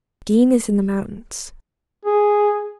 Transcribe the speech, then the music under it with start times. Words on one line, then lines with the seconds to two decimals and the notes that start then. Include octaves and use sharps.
D---- is in the mountains.
2.05 G#4